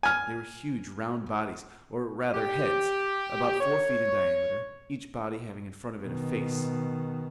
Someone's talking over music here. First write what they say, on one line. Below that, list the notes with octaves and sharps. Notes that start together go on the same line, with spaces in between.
They were huge round bodies--or, rather, heads--about four feet in diameter, each body having in front of it a face.
G#5 F6
G4
C#5
B2 D#3